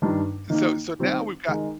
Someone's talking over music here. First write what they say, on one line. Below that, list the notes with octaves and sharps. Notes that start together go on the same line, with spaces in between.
so so now we've got
G2 D#3 G3 D4
D#3 A#3 D#4
D#3 G3 C4 G4
D#3 G#3 D#4 A#4